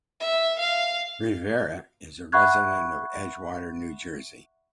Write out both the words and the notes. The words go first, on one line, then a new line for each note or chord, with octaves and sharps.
Rivera is a resident of Edgewater, New Jersey.
E5
F5
E5 F#5 B5 C#6 F#6 G#6